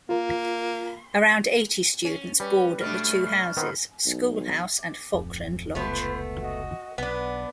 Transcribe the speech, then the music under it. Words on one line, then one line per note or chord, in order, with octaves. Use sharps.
Around eighty students board at the two houses; School House and Falkland Lodge.
A#3 F4 A#4
C#4
G3 C#4 B4
B2 A3 D4 F6
D#3 B3 C4
B1
D1 F2
F1 C#2 A3 B3 F4 B4 C5
F#4 D#5
B1 B3 D4 B4